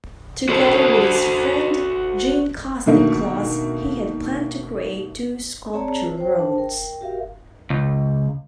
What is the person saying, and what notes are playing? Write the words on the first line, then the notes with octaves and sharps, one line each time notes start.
Together with his friend Jeanne Kosnick-Kloss he had planned to create two sculpture roads.
F#4 A4 C5
B2 D3 D#3 A3 A#3
C4 G#4 C#5 D5 A5 A#5
F4
C5 G5
D4 G#4 C5 A5
A#4 G5
F#4 G4 A#4 E5 F5
C#2